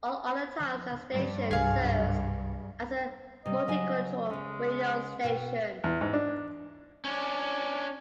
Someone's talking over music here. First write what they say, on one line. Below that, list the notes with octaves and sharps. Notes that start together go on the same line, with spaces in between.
All other times the station serves as a multicultural radio station.
G2
C2 G#4 F5
C3 G3 D#5
C#3 F#3 G#5
C#3 G#3 C#4
B2 G5
E2
G#2
D4
C#4 D4